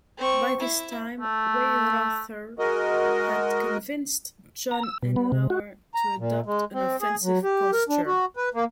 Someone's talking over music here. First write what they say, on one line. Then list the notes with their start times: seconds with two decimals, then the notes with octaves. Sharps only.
By this time, Weyrother had convinced John and Lauer to adopt an offensive posture.
0.17 C4 C#6
0.60 E4
1.20 A3
2.59 G#3 F#4 A#4 D#5
4.71 A#5
4.83 E6
5.03 B2
5.16 B3
5.32 C3
5.50 F#4
5.95 A#5
6.19 A#2
6.46 G#3
6.74 C4
7.01 G#4
7.23 F#3
7.43 G4
7.73 A#4
7.89 D4
8.07 F#4
8.36 B4
8.54 A#3